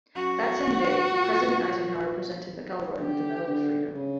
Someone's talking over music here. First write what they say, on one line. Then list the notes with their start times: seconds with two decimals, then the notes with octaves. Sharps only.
That same day, President Eisenhower presented McElroy with the Medal of Freedom.
0.15 F#2 F#4
0.48 E2
0.79 G2
1.10 A#2
3.00 D3 G4
3.47 D3
3.95 C#3